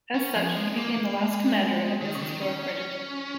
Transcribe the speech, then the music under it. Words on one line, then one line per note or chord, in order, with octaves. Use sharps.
As such, he became the last commander of this historic regiment.
C#4
F3
G#3
A#3
A#3
G#3
D#3
C#3
D#3
C#4
C#4